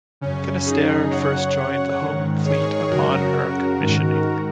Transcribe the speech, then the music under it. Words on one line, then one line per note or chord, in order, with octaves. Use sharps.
"Finnisterre" first joined the Home Fleet upon her commissioning.
F#2 C#3 C#4
D#4 G#4
F#2 C#3 C#5 F#5
C#5 F#5
G#2 D#3
G#4 C#5
F#2 C#3 F#4 A#4
G#2 D#3